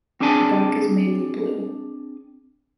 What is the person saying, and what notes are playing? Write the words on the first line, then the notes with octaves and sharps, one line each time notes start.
The back is mainly blue.
C4 D4 G#4 D5 G#5 A5